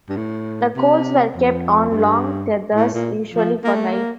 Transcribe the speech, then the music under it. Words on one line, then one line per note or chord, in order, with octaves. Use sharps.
The colts were kept on long tethers, usually for life.
G2
A2
C3
F2
F2
G2
A2
A#2
F3
A#3
A3
A#3